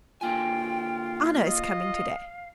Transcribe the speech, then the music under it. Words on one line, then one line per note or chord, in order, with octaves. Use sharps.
"Anna is coming today."
D3 A#3 F4 G5 G#5
D#5 F5